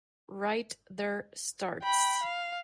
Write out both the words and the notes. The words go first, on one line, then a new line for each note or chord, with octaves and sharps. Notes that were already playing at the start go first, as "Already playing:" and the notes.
Wright their starts.
G5 B5
F5